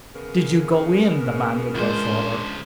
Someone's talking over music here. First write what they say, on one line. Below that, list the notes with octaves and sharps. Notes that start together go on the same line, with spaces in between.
"Did you go in?" demanded her father.
C#3 B3 A#4
C#2 G#3 D4 F4 C5